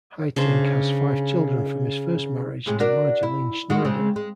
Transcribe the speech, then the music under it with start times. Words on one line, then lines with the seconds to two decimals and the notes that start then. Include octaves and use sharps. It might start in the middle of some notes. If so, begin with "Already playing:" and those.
Haitink has five children from his first marriage to Marjolein Snijder.
0.36 C#3 D4 C5
2.66 A2 C3 G#3
2.80 D4 F#4 A#4
3.23 E4
3.70 G#3 F#4
3.85 C#3 G#3 C4
4.16 G#3